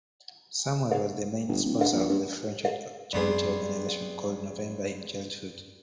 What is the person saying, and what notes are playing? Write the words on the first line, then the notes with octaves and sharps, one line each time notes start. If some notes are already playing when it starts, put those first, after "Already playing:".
Samuel was the main sponsor of the French charity organization called November in Childhood.
G1
D1
D3
A#1
G2
F#2 B3 C4 G#4 D5 G#5